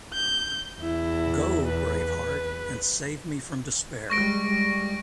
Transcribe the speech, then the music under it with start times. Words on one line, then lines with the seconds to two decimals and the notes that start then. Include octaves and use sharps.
Go, brave heart, and save me from despair.
0.14 G6
0.81 E2 E4
1.68 B4
4.10 G3 G#3 C#6 A#6 D7